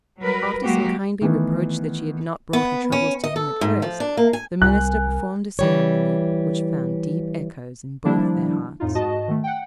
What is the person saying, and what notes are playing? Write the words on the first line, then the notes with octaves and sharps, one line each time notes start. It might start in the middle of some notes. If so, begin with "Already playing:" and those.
After some kindly reproach that she had not brought her troubles to him at first, the minister performed a ceremony which found deep echoes in both their hearts.
F#3 G3 A#4 B4
F#3 G#3 A#3 F#4 G4
D#3 E3 A3 B3
B3
C#4
D#5
A4
G#2
F3
D4
A#3
G#5
C2 G3 A#4 G#5 F#6
E3 G3 C#5
D#3 F3 G3 A#3 D4 E4
F2 A2 D#4 F4
G#2 F#4 D#5 A5
D#3 A3
F#5 G5